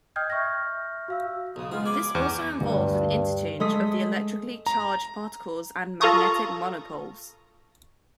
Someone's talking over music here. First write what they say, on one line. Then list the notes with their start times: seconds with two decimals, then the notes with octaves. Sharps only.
This also involves an interchange of the electrically charged particles and magnetic monopoles.
0.16 D#5 G5 D#6 F6 G6 G#6
0.30 E5 C#6 F6 G6 A#6
1.08 F#4 F5 E6
1.56 B1 G#2 C#3 D#6
1.72 G#3 B3 C#4 F4
1.86 G#5 B5 D6
2.15 E2
2.61 D2 G2
3.60 G#3 A3 D#6 B6
4.66 A#5
6.01 F4 A4 A#5 C#6 D#6